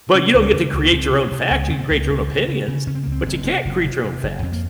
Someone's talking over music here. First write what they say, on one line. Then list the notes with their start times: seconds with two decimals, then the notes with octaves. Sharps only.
but you don't get to create your own facts. You can create your own opinions, but you can't create your own facts.
0.15 C3 C#4
0.34 C#2
0.41 C#4
0.54 C#2
0.73 C#2
0.84 A#3
0.92 C#2 C4
1.12 C3
1.32 C3
1.50 C#2
1.70 C#2 C4
1.90 C#2
2.09 C#2
2.28 C#3
2.48 C#3
2.68 C#3
2.87 C#3 C#4
2.95 C4
3.03 C#2 A#3
3.12 C4
3.26 F#1
3.45 C3
3.65 F#1
3.85 C3
4.04 C3
4.23 F#1
4.42 F2 C4
4.52 A#3